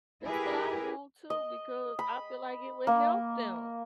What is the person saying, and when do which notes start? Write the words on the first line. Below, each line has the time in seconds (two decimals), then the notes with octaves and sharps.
That's what I want too, because I feel like it would help them.
0.24 E4 G4 G#4 A#4 B4
1.30 D#5
1.99 B5
2.87 A#3